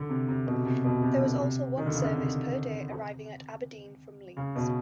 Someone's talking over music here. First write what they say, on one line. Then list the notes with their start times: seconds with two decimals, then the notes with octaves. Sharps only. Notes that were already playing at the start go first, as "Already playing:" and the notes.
There was also one service per day arriving at Aberdeen from Leeds.
Already playing: D3
0.10 C3
0.28 C3
0.47 B2
0.65 C3
0.84 B2
1.02 C3
1.21 D3
1.40 C3
1.77 D#3
1.86 D3
1.95 C#3
2.04 D3
2.13 C3
4.37 C#3
4.56 B2